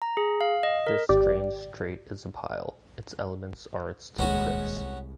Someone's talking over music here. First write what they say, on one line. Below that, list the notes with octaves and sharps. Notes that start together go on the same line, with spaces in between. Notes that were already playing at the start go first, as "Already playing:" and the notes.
This strange strait is a pile; its elements are its two cliffs.
A#5
G#4
F5
D#5
A#4
G#1 G4 D5
D#1 C#2 G#3 B3 C#4 F#4
C2